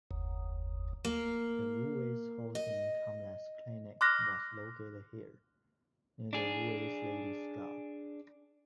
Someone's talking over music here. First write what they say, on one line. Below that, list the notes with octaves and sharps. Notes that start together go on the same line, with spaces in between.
The Ruwais Housing Complex Clinic was located here, near the Ruwais Ladies Club.
F#1 D#2
A#3
D#5
C6 D6 F6 F#6 A#6
D4 G#4